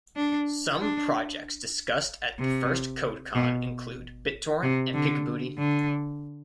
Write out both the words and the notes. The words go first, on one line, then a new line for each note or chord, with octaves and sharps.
Some projects discussed at the first CodeCon include BitTorrent and Peek-a-Booty.
D4
D4
C3
B2
C3
D3
D3